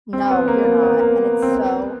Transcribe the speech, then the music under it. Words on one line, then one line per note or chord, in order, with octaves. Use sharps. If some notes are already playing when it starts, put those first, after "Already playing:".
No, you're not, and it's so,
C4
B3
A#3
A#3
B3
A#3
C4
B3